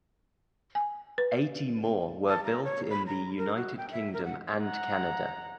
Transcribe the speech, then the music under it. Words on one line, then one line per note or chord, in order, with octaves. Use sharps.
Eighty more were built in the United Kingdom and Canada.
G#5
B4
A5
A#5
C#5
B5
A#5
A#4
F#4
G5
E5
A#4
F#5
F#5 A#5